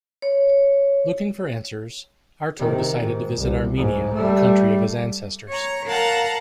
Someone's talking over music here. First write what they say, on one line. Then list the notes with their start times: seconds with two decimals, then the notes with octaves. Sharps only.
Looking for answers, Arto decided to visit Armenia, the country of his ancestors.
0.22 C#5
2.60 C3 D#3
3.03 G#2
3.36 C2
3.77 G#2
4.14 G3 A3
5.49 C#5 A#5
5.87 A#4 F5 F#5 A5 A#5